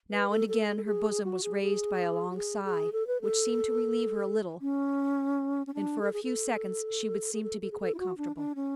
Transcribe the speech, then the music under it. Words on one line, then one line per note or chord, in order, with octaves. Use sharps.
Now and again her bosom was raised by a long sigh, which seemed to relieve her a little, and for a few seconds she would seem to be quite comfortable.
B4
A4
A4
G#4
A4
G#4
F#4
G#4
G#4
F#4
G#4
G#4
A4
B4
A4
C#4
C#4
D4
A4
G#4
A4
G#4
A4
A4
G#4
A4
E4
F#4
D4
D4
C#4